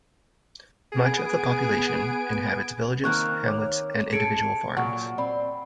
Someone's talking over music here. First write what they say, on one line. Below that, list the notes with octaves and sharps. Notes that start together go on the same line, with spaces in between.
Much of the population inhabits villages, hamlets and individual farms.
B3 G#4 G#5 D7
D#3 A#3 C4 C#6 F#6
C#5 D6
G#4 A4 C#7 D7
A#2 F#3 F#5 C#6
C4 D5 B5